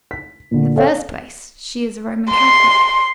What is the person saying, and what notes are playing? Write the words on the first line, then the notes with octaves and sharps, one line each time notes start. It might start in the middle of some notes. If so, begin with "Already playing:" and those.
'In the first place, she is a Roman Catholic.
B6
A#2 D3
A4 C#5 F5
C6